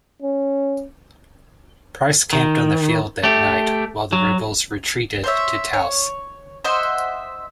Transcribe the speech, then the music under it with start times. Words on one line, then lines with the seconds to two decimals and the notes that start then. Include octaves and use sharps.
Price camped on the field that night while the rebels retreated to Taos.
0.22 C#4
2.33 D#3
3.24 A3 G4
4.13 F#3
5.24 C5 C#5 E5
5.73 C#5
6.64 C5 D#5 E5 F#5